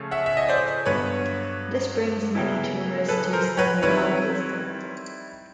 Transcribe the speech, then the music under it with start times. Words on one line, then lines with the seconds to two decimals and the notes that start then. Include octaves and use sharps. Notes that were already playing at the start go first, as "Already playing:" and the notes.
This brings many tourists to spend their holidays there.
Already playing: C#3 F3 A3 C#4
0.11 E5 F#5
0.26 E5
0.37 D#5
0.48 C5 D5
0.86 G2 D3 F#3 B3 B4 C#5
2.35 C#3 F#3 B3 E4
3.08 A4 B4
3.33 A#4 C5
3.57 B4 C#5
3.82 D#3 G3 C4 E4 B4 C#5